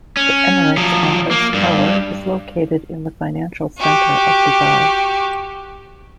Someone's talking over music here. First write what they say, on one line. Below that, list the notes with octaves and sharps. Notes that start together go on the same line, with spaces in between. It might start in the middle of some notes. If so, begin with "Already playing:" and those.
The Emirates Office Tower is located in the financial centre of Dubai.
C#4
F3 F#3
A#3
G2
F#4 G4